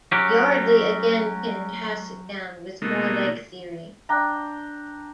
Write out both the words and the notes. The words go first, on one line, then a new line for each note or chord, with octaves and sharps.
Yardley again pinned Hassett down with more leg theory.
F#3 C#4 G4
B2 A3 A#3 D#4
D4 G5 A#5